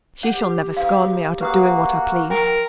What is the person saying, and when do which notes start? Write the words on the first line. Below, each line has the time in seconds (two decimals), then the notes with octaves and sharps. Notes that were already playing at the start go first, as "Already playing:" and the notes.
She shall never scorn me out of doing what I please.
0.23 G4 F#5
0.77 B3 D#4 G4 F5
1.41 A#3 F#4 B4 F#5 D#6
2.30 F3 F4 A#4 G5